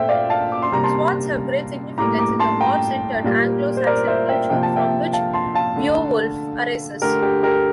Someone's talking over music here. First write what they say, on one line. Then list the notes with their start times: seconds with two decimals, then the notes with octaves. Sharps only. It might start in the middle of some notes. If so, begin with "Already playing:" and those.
Swords have great significance in the war-centred Anglo-Saxon culture from which "Beowulf" arises.
Already playing: A#2 A3 C5 E5 G5
0.09 D5 F5
0.30 F5 A5
0.52 D6
0.62 C6
0.72 C3 G3 A#3 A#5
0.84 A5 C6
1.98 A2 G3 A#3 A#5 D6
2.19 A#5 D6
2.40 A5 C6
2.61 G5 A#5
3.24 A#2 G3 A#3
3.77 C5
3.87 A#4 D5
4.07 C5 E5
4.29 E5 G5
4.49 C3 F3 A#3 G5
4.63 A5
4.76 E5 G5
5.13 F5 A5
5.33 A5 C6
5.55 F5 A5
5.76 D3 A3
7.02 D3 A3 G4 A#4
7.22 G4
7.43 G4 A#4